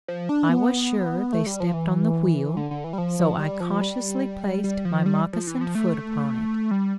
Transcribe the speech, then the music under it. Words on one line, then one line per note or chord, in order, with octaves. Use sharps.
I was sure they stepped on the wheel, so I cautiously placed my moccasined foot upon it.
F3
D4
B3
A3
G3
F3
E3
D3
D3
E3
G3
F3
F3
G3
F3
G3
G3
F3
G3
F3
E3
F3
A3
G3